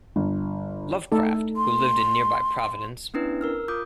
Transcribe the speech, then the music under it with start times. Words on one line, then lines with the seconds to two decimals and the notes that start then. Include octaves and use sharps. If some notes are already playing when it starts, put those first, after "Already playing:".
Lovecraft, who lived in nearby Providence.
0.16 G1
1.12 A3 D#4 A4
1.57 C6
3.14 B3 C#4 D4 E4 B4
3.41 A#4 E6 F6
3.68 F4 D6 D#6 G6